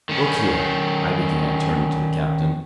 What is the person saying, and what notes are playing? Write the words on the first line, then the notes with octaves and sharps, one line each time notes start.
"Look here," I began, turning to the captain.
D#3 C#4